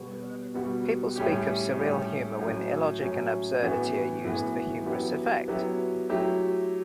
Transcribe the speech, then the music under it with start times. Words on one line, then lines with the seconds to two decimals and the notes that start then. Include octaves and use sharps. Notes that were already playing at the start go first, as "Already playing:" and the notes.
People speak of surreal humour when illogic and absurdity are used for humorous effect.
Already playing: B2 G3 B3 F#4
0.54 B2 G3 B3 F#4
1.16 A2 G3 C#4 G4
1.78 A2 G3 C#4 G4
2.39 A2 F#3 C#4
3.00 A2 F#3 C#4
3.62 A2 E3 B3 F#4
4.25 A2 E3 B3 F#4
4.86 F#3 B3 E4 G4
5.48 F#3 B3 E4 G4
6.09 F#3 A3 E4 G4